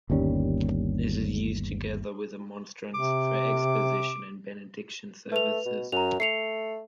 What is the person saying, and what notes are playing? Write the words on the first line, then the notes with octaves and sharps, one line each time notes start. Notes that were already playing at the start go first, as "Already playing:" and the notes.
This is used together with a monstrance for exposition and Benediction services.
G1 D#2 G3 C#4
C3 D6
A3 B4 F7
B2
F#2 A#5 F7
A3 C7 C#7 F7